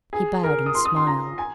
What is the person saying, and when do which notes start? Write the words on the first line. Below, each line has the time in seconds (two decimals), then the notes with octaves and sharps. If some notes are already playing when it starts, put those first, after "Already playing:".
He bowed and smiled.
0.13 G#4
0.44 A#4
0.66 D#6
0.75 C6
0.85 D#6
0.96 C6
1.07 A#5
1.38 G#5